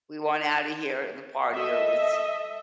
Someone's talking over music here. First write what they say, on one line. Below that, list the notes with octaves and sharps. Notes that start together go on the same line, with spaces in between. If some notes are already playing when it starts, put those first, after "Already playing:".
we want outta here, the party, yeah, was
A4 D#5 E5